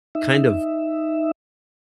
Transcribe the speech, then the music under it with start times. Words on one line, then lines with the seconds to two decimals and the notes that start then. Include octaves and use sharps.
kind of
0.15 D#4 E5